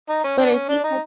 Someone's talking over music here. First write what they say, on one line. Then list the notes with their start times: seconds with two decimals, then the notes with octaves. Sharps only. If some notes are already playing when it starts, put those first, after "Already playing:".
But it seems like
0.09 D#4
0.24 C#4
0.39 D4
0.53 C#4
0.69 D4
0.84 D#4